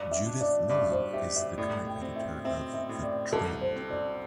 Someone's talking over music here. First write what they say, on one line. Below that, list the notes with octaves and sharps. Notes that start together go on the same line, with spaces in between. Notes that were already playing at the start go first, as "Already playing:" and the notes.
Judith Milling is the current editor of the "Trend".
Already playing: G2 D5
E5
D4
D5
G2 D5
C5
G4 E5
E5
A2 D5
G5
C4
E5
C4 E5
E5
A2
D5
C2 A4
C5
C4
D5